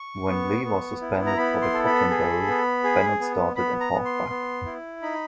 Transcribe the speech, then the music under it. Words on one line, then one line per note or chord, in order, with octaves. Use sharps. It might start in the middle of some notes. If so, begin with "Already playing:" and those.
When Lee was suspended for the Cotton Bowl, Bennett started at halfback.
Already playing: C#6
B3
B3
E4
A#5
B3 B5
C6
A4
B5
G#4
B3
G#4
B3
B3 B5
A#5
B3
C6
B3
E4
D#4 B5